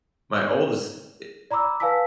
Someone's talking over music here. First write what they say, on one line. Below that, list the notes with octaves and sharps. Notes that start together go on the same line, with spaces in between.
My oldest i
D5 A#5 B5 D6 E6
B4 F5 G#5 A5 E6 B6